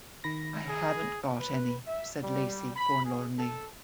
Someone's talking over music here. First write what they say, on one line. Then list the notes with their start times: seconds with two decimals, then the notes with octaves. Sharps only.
"I haven't got any," said Lacey forlornly.
0.24 D#3 B5 A#6
0.69 G#4
1.41 B4
1.86 E5
2.23 G3
2.75 B5
3.05 G#4
3.39 A4